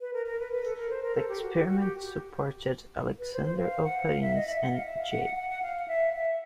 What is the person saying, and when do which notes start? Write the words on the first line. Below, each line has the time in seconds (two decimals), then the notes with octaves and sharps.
The experiment supported Alexander Oparin's and J.
0.01 B4
0.13 A#4
0.26 A#4
0.39 B4
0.52 B4
0.65 A4
0.77 A#4
0.90 C5
1.03 A#4
1.15 A4
1.28 G4
1.42 F#4
1.54 G4
1.67 F#4
1.80 G4
3.19 B4
3.33 C5
3.46 C5
3.57 F5
3.84 F#5
4.10 F5
4.22 E5
4.35 D#5
4.47 E5
4.60 F#5
4.73 F5
4.85 E5
4.98 F5
5.11 F#5
5.24 F#5
5.37 F#5
5.49 F#5
5.62 F5
5.88 E5
6.13 E5